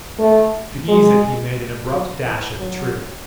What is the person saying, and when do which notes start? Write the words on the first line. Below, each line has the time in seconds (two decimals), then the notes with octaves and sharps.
To ease it he made an abrupt dash at the truth.
0.19 A3
0.88 G#3
1.91 F#3
2.26 E3
2.60 F#3